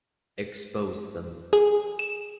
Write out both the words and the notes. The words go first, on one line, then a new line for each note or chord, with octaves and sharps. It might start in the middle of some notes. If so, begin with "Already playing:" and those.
Expose them.
G#4
E7